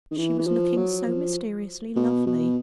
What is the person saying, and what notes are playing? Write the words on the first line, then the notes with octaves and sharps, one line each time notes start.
She was looking so mysteriously lovely.
D#3
E3
E3
F3
F#3
F3
B2
B2